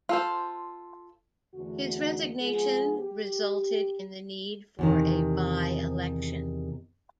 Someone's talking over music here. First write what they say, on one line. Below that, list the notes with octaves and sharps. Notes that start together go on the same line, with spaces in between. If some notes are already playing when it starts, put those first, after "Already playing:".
His resignation resulted in the need for a by-election.
F4 A4 C5
E2 D3 A3 D4 F#4
F3 G#3 B3 G#4
G4
E2 C3 D#3